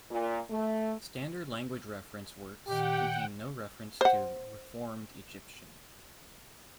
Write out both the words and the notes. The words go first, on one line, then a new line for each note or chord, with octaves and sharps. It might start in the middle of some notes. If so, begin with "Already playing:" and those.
Standard language reference works contain no reference to "reformed Egyptian".
A#2
A3
A#2 D#3 G4 F#5 G5
C5 F#5